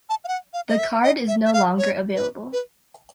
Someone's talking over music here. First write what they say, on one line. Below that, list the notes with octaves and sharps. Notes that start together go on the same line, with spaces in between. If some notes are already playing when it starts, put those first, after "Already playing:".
The card is no longer available.
A5
F5
F#5
F5
D#5
E5
D#5
E5
E5
F5
C#5
B4
B4